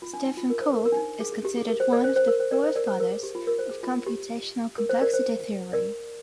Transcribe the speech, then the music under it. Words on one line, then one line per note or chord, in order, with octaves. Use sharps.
Stephen Cook is considered one of the forefathers of computational complexity theory.
F4
D4
D#4
F4
A#4
C5
A#4
A#4
D4
D#4
G#4
G#4
G4
G#4
A#4
C5
A#4 D5
C5
C5
A#4
C5
A#4 D5
C5
A#4 D5
C5
A#4
G#4
G4
F4
A#4
C5
G#4
F4
G4
A#4
C5
A#4 D5
C5
A#4 D5